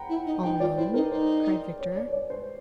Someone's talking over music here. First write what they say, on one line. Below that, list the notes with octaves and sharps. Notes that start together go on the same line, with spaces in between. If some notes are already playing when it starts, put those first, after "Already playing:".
"All alone?" cried Victor.
Already playing: F#5 G5 A#5 B5
E4
D#4
D#4 G5
F4 D5
E4 C5
D#4 A#4
D#4 C5
C#5
D5
C#5
D5
C5